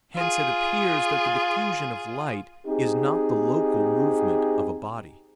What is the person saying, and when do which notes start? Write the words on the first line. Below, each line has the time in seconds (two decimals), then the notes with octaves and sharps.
Hence it appears that the diffusion of light is not the local movement of a body.
0.15 F4 G#4
2.66 C4 D#4 G4 G#4